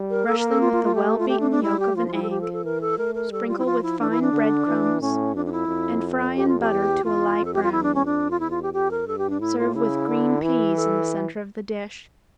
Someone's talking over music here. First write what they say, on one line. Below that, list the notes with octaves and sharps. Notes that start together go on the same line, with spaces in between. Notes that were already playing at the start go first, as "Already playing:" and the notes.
Brush them with the well-beaten yolk of an egg, sprinkle with fine bread crumbs, and fry in butter to a light brown. Serve with green peas in the center of the dish.
Already playing: G3
A#4
A#3 A4
A#4
A4
F4
F4
F4
A3 G4
F4
G4
D4
D4
G3 E4
G4
F3 F4
F4
E4
A4
G4
A4
A4
E3 A#4
A4
A3 A#4
A#4
G3 A4
F4
E4
F3 F4
E4
E3 D4
E4
D4
D3
E3
A2 C#4
F2 D4
D4
E4
F2
G4
F4
G4
E2
E2 F4
F2
A4
G4
F4
E2 E4
D4
C#4
F2 D4
F4
E2 E4
F4
G4
F2 G4
A#4
G2 A4
G4
D4
A2 E4
F4
C#3 E4
D3
E3 E4
A4